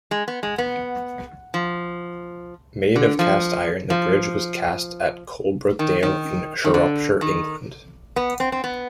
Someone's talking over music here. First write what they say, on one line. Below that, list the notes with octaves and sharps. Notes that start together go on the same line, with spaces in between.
Made of cast iron, the bridge was cast at Coalbrookdale in Shropshire, England.
G#3
B3
G#3
B3
F3
D3
F3
F3
D#3
D#3
D#3
D3
D#3
B3
C4
C4
B3